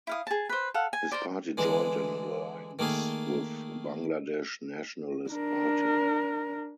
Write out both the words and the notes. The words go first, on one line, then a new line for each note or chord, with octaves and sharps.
His party joined an alliance with Bangladesh Nationalist Party.
E4 F5 D#6
G#4 A5
B4 C5
A4 F5 F#5
G#5
A#4 C5 D5
D3 E3 G#3
D#3 A3 A#3 G#4
D4 A#4